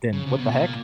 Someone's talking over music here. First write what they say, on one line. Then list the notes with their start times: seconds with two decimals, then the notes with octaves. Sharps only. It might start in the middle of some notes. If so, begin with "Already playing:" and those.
then, "What the heck?"
0.13 C#3
0.26 C3
0.39 B2
0.51 A#2